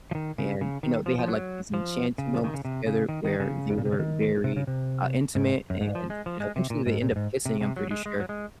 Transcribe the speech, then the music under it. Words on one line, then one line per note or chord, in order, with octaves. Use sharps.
and, you know, they had, like, these enchanting moments together where they were very, uh, intimate and, you know, eventually they end up kissing, I'm pretty sure,
F3
D#3
C#3
C#3
D#3
F3
F3
F#3
F3
C#3
F3
D#3
C#3
C3
C#3
D#3
D#3
C#3
G#2
A#2
C3
C#3
D#3
C3
C#3
C3
G#2
F#2
G#2
F3
G#3
F3
G#3
C3
A#2
G#2
A#2
F#2
G#2
C3
C3
F#3
G#3
G#3
F#3
G#3